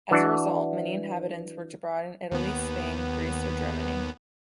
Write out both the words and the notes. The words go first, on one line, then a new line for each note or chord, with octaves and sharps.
As a result, many inhabitants work abroad in Italy, Spain, Greece, or Germany.
E3 D4 F#4 D5
D#2 B3